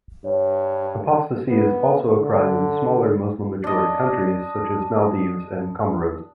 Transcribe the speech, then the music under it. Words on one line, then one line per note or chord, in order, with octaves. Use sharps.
Apostasy is also a crime in smaller Muslim-majority countries such as Maldives and Comoros.
G2 C#5
B3
D3
D4 D#5